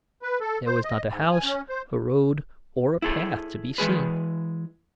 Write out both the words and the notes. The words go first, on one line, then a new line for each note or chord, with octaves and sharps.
There was not a house, a road, or a path to be seen.
B4
A4
C5
D#5
G#2
G#5
C#4
C5
E4 G#4 A4
E3 G#3 G#4 B4